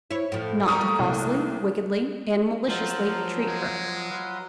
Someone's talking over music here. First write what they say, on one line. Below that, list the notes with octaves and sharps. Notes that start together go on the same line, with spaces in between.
Not to Falsely, Wickedly and Maliciously treat her.
E4 C#5
A2 F3
G3 A3 A#3 A#5 C#6 D#6
C2
F3 F#3 A#4 C5
G#3
B4 F5 C6